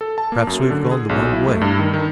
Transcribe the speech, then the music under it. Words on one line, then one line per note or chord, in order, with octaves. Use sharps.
"Perhaps we have gone the wrong way."
A4
A5
A#3
F#2
D3
G#4
B1
E4
A3
G2
D#3
D#3